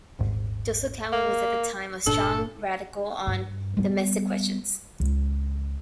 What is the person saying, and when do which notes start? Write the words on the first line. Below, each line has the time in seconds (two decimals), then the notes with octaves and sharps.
Joseph Cowen was at that time a strong Radical on domestic questions.
0.19 D#1 G#1 G#2
1.13 A#3
2.06 G1 A#2 D4 A4
3.27 G2
3.77 G3 B3
5.00 C#2